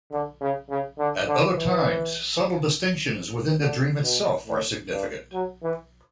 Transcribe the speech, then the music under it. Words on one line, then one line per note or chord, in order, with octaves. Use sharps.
At other times, subtle distinctions within the dream itself are significant.
D3
C#3
C#3
D3
D3
E3
D3
B2
A2
G2
F#3
E3